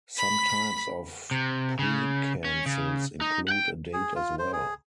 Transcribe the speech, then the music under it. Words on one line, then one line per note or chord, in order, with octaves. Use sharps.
Some types of precancels include a date as well.
B5 B6
C3
C#3
C#4
C#3
D#4
F#5 G5
G#4
F4
C5
G#4